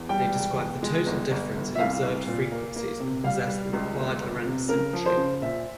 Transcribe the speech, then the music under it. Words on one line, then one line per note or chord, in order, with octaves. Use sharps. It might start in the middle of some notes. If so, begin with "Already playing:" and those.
They describe the total difference in observed frequencies and possess the required Lorentz symmetry.
Already playing: E2
G3 G5
E1
E2
G#3
G1
G1
G1
E5
C2 F5
C2
A#2
A#3
A#3
C3
G3 F5
G3
C#2
G1
G1
C3
C#3 A#4
F3
C5
C#3
A#2 E5